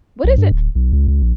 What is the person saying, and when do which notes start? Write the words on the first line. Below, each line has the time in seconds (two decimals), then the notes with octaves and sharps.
What is it
0.24 B1
0.38 G2
0.52 D1
0.75 B1
0.93 C#2
1.08 C#2
1.22 A#1